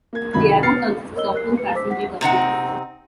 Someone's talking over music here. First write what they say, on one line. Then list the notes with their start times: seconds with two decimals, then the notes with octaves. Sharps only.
The airport consists of two passenger terminals.
0.13 A#3 G#6
0.33 C2 D#3 F#3 B5 G#6
0.63 B3 F6 A6 C7 C#7
1.16 A#4 C#5 D#5 E6 G7
1.34 A#4 F#6 C7
1.58 B4 C#7
1.75 C5 D6 E6 B6
1.90 F#5 B6
2.21 C3 C4 D#4 F#5